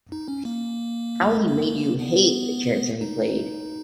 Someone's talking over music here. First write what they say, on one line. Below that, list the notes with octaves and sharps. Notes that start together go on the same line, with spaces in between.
How he made you hate the character he played!
D#4
C#4
A#3
A#3
B3
D#4